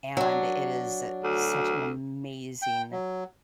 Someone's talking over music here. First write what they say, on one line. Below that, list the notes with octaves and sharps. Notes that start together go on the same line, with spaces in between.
and it is such an amazing
F#3 D4
D2
G5
F#3